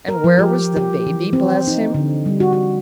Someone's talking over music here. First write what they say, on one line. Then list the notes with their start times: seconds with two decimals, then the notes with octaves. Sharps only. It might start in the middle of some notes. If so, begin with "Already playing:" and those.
And where was the baby, bless him?
0.08 A#4
0.24 F3
0.39 G4
0.77 G4
1.07 E3
1.33 C4
1.67 D#4
1.95 D3
2.26 G3
2.40 F#4
2.53 F#4